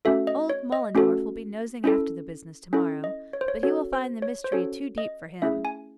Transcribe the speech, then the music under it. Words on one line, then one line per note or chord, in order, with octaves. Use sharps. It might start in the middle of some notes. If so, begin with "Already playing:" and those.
Old Moellendorff will be nosing after the business tomorrow, but he will find the mystery too deep for him.
A3 C#4 F#4 A4 E5
D#5
C#5
D#5
A3 C#4 F#4 A4
C#4 E4 A4
C#4 E4 A4
D#5
C#5
C5
C#5
C#4 F#4 A4 C#5
C5
C#5
C5
C#4 F#4 A4 C#5
D#5
A3 C#4 E4 G#4 E5
G#5